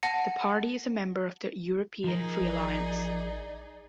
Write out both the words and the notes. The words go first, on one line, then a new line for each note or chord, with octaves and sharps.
The party is a member of the European Free Alliance.
F#5 A5 A#6 C#7
F3 D#4 G#4 A#4
A1 D5